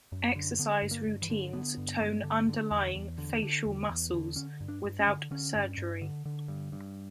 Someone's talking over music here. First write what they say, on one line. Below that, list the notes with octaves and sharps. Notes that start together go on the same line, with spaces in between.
Exercise routines tone underlying facial muscles without surgery.
F#2
D3
D3 B3
G2
A#3
G2
E3
D3
D3 B3
G2
G2
D3
D3
E2
E2
D3
D3
E2
E2
D3
D3 C#4
G2
D4
G2
C#4
D3
D3 C#4
G2
G2
D3
D3
G2
G2